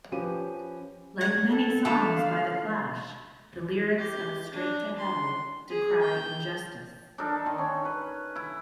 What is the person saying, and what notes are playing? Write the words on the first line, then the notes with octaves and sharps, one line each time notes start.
Like many songs by the Clash, the lyrics of "Straight to Hell" decry injustice.
F3 C#4 G4 B4 D#7
F#5 G#6
A4
D3 A3 A4 F5
G4
D4
C6
G#4
G5
D4 D#4 A4 A#4
D#3 C6
C#4
B4
E4